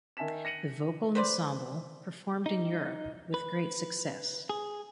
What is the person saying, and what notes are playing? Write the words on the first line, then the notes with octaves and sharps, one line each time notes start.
The vocal ensemble performed in Europe with great success.
D#3 E5 G#5 A5 B6 E7
A#6 C#7 D#7 F#7
B4 C5 D5
D#4
B4
G#4